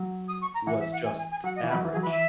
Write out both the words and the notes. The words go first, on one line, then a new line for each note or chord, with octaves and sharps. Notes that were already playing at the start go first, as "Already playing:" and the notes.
was just average,
Already playing: F#3
D#6
C#6
A#5
E3 F#5
E5
F#5
G#5
G#5
G#5
F#3 F#5
D#5
E3
B4
F#3
E3
G#4
F#3
B4
E3 E5